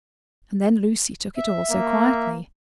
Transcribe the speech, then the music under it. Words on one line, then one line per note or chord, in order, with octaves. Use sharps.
And then Lucy took it all so quietly.
E5
A#3